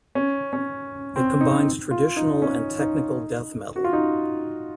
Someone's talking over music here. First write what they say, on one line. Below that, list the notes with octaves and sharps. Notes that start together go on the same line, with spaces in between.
It combines traditional and technical death metal.
C#4
C#4
C4
D#4
F4
D#4
C#4
D#4
F#4
F4
D#4